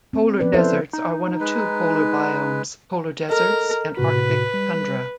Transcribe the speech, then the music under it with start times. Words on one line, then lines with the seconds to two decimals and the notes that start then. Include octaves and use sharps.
Polar deserts are one of two polar biomes: polar deserts and Arctic tundra.
0.13 C4
0.40 F3 B3 C#4 B4 D5
0.53 E4 A4 B4 C5 E5
0.93 D#4
1.40 G#3 B4
3.30 A4 A#4 D#5
3.97 A2 C3 F#4 B4
4.54 G3